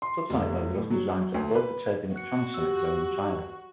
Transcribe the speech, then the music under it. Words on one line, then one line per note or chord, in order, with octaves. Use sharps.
Subsonic loads are often designed to avoid the turbulent transonic zone entirely.
C6
F1
A2
F#3
D2
B4
F#4 F#6 C#7
G4 E6